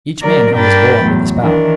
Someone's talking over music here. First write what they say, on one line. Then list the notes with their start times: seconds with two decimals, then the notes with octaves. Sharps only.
Each man held his bowl under the spout.
0.22 F#3 A#4 D5
0.53 G2 D4 A#4 G5 B5 A6
1.03 E2 A2 F#3
1.40 D#3 E3 D4 A#4